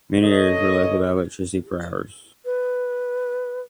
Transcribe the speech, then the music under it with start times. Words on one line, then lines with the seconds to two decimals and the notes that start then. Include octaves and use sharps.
Many areas were left without electricity for hours.
0.24 A4 C#5 D#5
2.45 B4